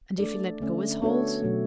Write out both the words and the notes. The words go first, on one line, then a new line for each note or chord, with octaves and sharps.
And if he let go his hold?
A3 D4 A4 D5
D3 A3 C#4
B3 D4 F#4 A4 C#5
B2 F#3 A3